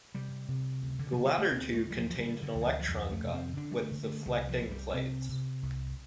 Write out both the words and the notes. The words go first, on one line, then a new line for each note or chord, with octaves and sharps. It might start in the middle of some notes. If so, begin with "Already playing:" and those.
The latter two contained an electron gun with deflecting plates.
C3 G3
C3
D2
D3
F3
D3
G3
A3
D2 C4
A3
D2 G3
F3
F3
D3 G3
D3
D2
D3
F3
F3
F2 G3
A3
C3
C4
D3 D4
G3
A3
D3
A3
C2 G3
F3
C2
G3
C3 C4
C3
C2